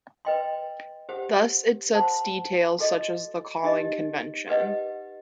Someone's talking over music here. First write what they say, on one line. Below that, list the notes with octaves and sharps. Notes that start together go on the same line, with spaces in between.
Thus it sets details such as the calling convention.
B4 D#5 G5 C6
G4 C5 F#5
C5 F#5 A5 C6
F#4 A4 D#5
D#4 G4 D#5
G4 B4 D#5 F#5